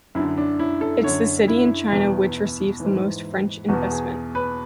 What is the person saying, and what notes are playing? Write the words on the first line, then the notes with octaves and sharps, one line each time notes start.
It's the city in China which receives the most French investment.
F#2 D3 E4
D4
E4
A4
F#2 D3 C#5
E4
E2 B2
G#2 E3
E2 B2 F#4
G#4
B4